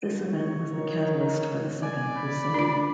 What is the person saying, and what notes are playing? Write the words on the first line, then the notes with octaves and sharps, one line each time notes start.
This event was the catalyst for the Second Crusade.
C#5
D#3
D5 G#5
B5
D4 F4